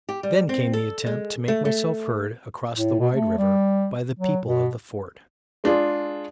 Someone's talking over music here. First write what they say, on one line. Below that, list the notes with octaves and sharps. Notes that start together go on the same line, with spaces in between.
Then came the attempt to make myself heard across the wide river by the people of the fort.
G4
G3
C4
A4
G#3
A3
A3
A2
B2
A3
G3
F#3
B2
G#3 D4 F4 G#4